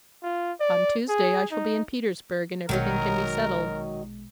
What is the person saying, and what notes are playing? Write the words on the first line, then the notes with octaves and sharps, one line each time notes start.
"On Tuesday I shall be in Petersburg, and everything can be settled."
F4
D5
G#4
D#4
A#1 B2 D#3 F#3 G#3 D#4 A#4